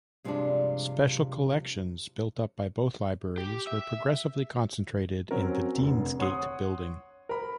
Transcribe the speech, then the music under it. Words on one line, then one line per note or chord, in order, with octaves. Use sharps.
Special collections built up by both libraries were progressively concentrated in the Deansgate building.
G2 C3 F3 G#3 B3 D4
G4
E5
F#3 C4 C#4 A#4
F1 D3
C#5 F#5 C6 D#6
A#4 B5